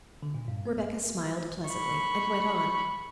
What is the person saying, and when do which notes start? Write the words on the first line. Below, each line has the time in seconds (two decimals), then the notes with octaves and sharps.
Rebecca smiled pleasantly, and went on.
0.23 D3
0.35 A#2
0.48 G2
0.66 B3
1.69 B5 C#6